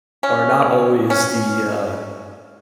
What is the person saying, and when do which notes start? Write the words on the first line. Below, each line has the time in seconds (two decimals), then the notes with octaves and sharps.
are not always the uh
0.23 C#4
1.10 C#4